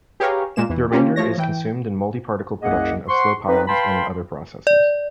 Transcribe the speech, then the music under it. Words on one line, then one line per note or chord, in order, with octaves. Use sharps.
The remainder is consumed in multiparticle production of slow pions and in other processes.
G4 G#4 B4 C#5 F5 A#5
A#2 G#3 A#3 E7
E2 E3
A#3 C#4 F4 G4
F3 A3 C#5 A#6
E3 G5
C2 F#2 A#3 G#4 D#5 F#5
C5 F#5 C6 C#6
C4 D#4 B4
B4 F5 G5 A5 B5 C6
D5